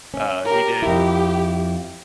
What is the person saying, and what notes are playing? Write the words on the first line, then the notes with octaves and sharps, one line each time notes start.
Uh, he did.
C#4
G4 A#4
F2 E4 G4